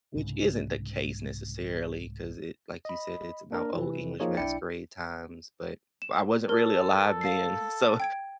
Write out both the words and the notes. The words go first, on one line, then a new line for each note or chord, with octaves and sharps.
which isn't the case necessarily, 'cause it like you said, it's about Old English masquerade times, but I wasn't really alive then, so,
C2 G#2 C#3
D#5 B5
A#3 D4 A#4
C3 E3
F3 A#3 D#4 F4 G#4 C#5
B1 D4 E4 D5 G5 C#7
E7
A4 A#4
F5 C7
G5 G#6 D7